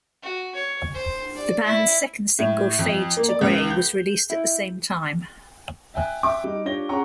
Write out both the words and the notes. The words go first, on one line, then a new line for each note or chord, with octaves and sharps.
The band's second single, "Fade to Grey", was released at the same time.
F#4
C#5
C5
D5
E4
A2
F2
A#3
D5
C#2
G6
E4
E5 G5 G#5 F#6
E5 G5 D6
G3 D#4
D4 F4 G4 C#5 A#6 G7
C#4 G#4 F#5 A#5 C#6